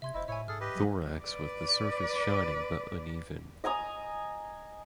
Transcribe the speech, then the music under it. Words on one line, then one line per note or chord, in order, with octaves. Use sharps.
Thorax with the surface shining but uneven.
C3 E5 C6 G#6
F#1 E4 C5 D#5
A2 E4 C#5 E5 G#5
G#2 G#4 A4 F6
G4 B4 D#5
F#3
B4 D5
D#5 G#5 A#5 D#6